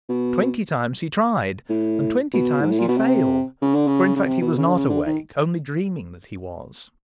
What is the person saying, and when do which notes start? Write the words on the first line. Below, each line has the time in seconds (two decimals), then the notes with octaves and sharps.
Twenty times he tried, and twenty times he failed; for in fact he was not awake, only dreaming that he was.
0.09 B2
1.69 A2
2.34 B2
2.62 G#2
2.71 A2
2.79 A#2
2.89 B2
2.97 C3
3.62 C#3
3.75 D3
3.88 C#3
4.16 C#3
4.26 C3
4.42 B2
4.58 C#3
4.68 D3
4.74 C#3
4.90 D3
5.06 D#3